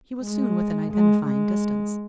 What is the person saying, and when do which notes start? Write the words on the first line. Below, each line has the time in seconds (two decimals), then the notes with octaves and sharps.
He was soon within identifying distance.
0.24 G#3
0.92 G#3
1.26 G#3